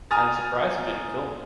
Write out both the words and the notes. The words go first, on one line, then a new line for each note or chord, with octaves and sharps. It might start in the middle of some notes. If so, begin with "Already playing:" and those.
I am surprised you didn’t kill me.
G#5 A#5 D#6 F6 A6